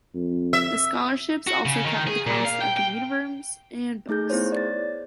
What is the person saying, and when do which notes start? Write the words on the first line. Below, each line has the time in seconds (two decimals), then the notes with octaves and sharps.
The scholarships also covered the cost of the uniforms and books.
0.15 F2
0.53 E5
1.47 F#4
1.65 C#3
1.86 D#3
2.07 G#4
2.27 A#2
2.45 F5
2.62 G5
2.77 G5
4.09 A3 D#4 G#4 G6
4.30 B3 E4 G#4 C5 C#5
4.52 D5 A6